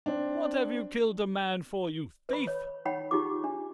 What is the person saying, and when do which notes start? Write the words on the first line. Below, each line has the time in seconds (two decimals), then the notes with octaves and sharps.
"What have you killed a man for, you thief?"
0.06 C4 D4
2.29 B4 B5
2.47 C#5
2.85 D#4 C#5 F#5 G5 B5
3.11 D#4 F4 G4 G#4 D6
3.44 D4